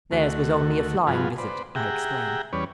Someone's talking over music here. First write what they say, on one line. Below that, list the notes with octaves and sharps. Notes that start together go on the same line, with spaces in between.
"Theirs was only a flying visit," I explained.
D2 A3 F#4
G2 F3 F4 F#4 G#4 B4
B4 C5 D5
G4 G#4 E5 F#5 G5 A#5
E2 G3 C#4 B4 C#5 D5